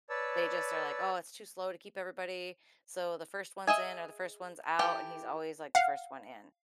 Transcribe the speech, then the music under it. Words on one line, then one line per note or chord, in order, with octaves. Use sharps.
they just are like, "Oh, it's too slow to keep everybody. So the first one's in are the first one's out," and he's always like the first one in.
B4 C#5 D5 A5 E6
G#4 D#5 E5 G#5
E3 G4 A4 G5
F5 F#5